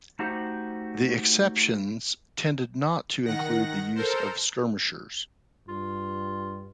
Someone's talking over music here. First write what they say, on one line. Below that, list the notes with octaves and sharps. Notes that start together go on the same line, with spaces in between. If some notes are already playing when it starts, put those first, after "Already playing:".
The exceptions tended not to include the use of skirmishers.
A3 D#4 F#4 G4 C5
D#3 F#5 A#6
A4 A#4 C5
G2 F4